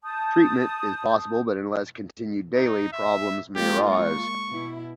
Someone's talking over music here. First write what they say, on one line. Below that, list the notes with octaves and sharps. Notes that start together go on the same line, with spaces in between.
Treatment is possible but unless continued daily, problems may arise.
A5 D#6 G6
D#4
E5
G#3 A#3 F4 G4
C#6
B2 E4